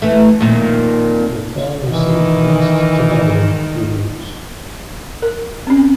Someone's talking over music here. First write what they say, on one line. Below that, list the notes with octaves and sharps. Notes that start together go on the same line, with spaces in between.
The film received mixed-to-negative reviews.
E3 A3
F2 A#2 D#3
D#3 E3
A#4
C4 C#4